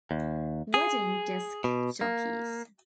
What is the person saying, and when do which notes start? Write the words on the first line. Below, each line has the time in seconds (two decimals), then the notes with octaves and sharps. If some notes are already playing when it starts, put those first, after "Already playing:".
Wedding disc jockeys.
0.11 D#2
0.74 G#4
1.64 B2
2.01 A#3